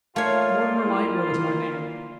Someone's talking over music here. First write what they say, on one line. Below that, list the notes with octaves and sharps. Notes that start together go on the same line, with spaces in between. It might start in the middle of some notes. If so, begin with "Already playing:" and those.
'Mortimer Lightwood is my name.
A#2 A3 A#3 F4 C#5 F5
E4